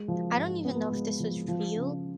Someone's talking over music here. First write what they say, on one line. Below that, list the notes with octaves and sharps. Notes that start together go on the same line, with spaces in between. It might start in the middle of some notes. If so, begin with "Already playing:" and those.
I don't even know if this was real,
Already playing: G#3
F3
G#2
B3
G#3
F3
F3
C#3